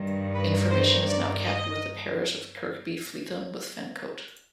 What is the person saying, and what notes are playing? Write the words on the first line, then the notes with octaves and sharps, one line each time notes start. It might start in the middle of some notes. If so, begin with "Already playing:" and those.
Information is now kept with the parish of Kirkby Fleetham with Fencote.
Already playing: G2 D#3
B4
C5
D5
D#5